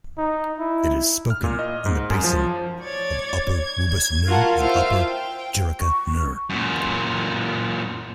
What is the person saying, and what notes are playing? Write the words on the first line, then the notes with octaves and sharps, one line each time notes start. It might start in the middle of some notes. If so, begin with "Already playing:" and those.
It is spoken in the basin of Upper Rubas-nir and Upper Chirakh-nir.
D#4
E4
F6
A#2
D#5
G#2
F#2
F3
C#5 D5 G#6 A6
G#6
G#6
F4 F#4 A#4 F#5 A5
F4 C5 E5 F5
G5
C#6
F#2 A#2